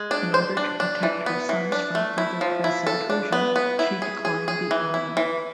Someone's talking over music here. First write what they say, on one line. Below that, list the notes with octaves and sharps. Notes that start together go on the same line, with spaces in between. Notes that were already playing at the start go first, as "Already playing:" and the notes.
In order to protect her sons from further press intrusion she declined the honour.
Already playing: G#3
D4
C5
D4
D4
E3
B3
E3
D4
A3
E4
F3
E4
A4
D4
B3
B3
E4
G#4
G#4
G#4
E3
E4
E3